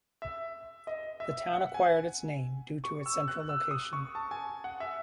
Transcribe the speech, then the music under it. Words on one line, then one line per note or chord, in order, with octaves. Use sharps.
The town acquired its name due to its central location.
E5
D#5
E5
F#5
G#5
C#6
E6
F#6
E6
D#6
C#6
A5
G#5
F#5
E5